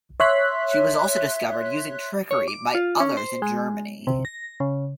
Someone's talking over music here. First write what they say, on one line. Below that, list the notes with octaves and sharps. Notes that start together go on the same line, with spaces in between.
She was also discovered using trickery by others in Germany.
C#5 E5 C6 F#6 B6
C#5
D6
F4
C#4
C5
G#3
C3
A#6
C#3